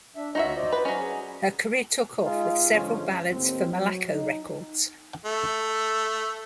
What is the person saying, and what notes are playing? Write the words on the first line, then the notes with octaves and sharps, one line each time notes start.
Her career took off with several ballads for Malaco Records.
D4 E5
D2 D#4 F4 F#4 C#5 E5
C5 D5 D#5
B4
F#3 C#4
G#4
G#3 D#4 F4 G#4
G#2 D3 F3 G#3 C#4 F4
D#2 A2 C4
F#3
D#4
A3